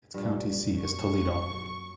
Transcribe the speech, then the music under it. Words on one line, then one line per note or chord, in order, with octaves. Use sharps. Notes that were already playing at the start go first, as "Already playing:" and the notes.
Its county seat is Toledo.
G2 A#2
F#2 C#6